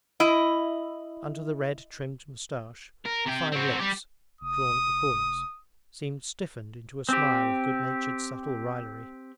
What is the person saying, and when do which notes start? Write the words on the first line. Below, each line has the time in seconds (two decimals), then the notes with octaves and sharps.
Under the red trimmed moustache the fine lips, drawn at the corners, seemed stiffened into a smile of good-natured subtle raillery.
0.20 E4 D#5
3.05 A#4
3.26 C3 G5
3.52 C4 F#4
3.79 G3 G4
4.41 F1 D#6
7.09 C4 G4